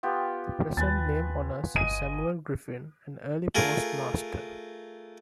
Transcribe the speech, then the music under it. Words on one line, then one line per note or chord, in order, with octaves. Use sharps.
The present name honors Samuel Griffin, an early postmaster.
B3 F4 G4
D#2 B4 G#5 A6
G1 D#5 G#5 D#7
A3 F4 G#4 A#4